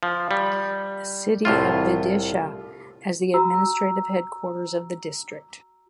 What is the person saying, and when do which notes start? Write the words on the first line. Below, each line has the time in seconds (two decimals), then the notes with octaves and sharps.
The city of Vidisha as the administrative headquarters of the district.
0.03 F3
0.31 G3
1.45 C2 A2 F4
3.34 F#4 A#5 E6